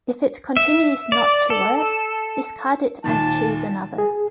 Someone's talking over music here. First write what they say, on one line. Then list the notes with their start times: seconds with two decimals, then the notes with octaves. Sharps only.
If it continues not to work, discard it and choose another.
0.57 E5
1.12 D5
1.50 A4
3.04 D#2 A#2 D#3 A5
3.98 G#4